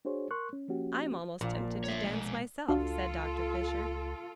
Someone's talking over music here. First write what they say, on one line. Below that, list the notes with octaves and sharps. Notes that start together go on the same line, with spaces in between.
"I'm almost tempted to dance myself," said Dr. Fisher.
D4 F#4 G#4 C5 C#5
A#4 C6 C#6 F#6
C#4
F3 A#3 C#4 F#4 G4
A#1 A#2 F3
C#5 E5
B2 G#3
C#2 D4 F4 F#4 A4 F5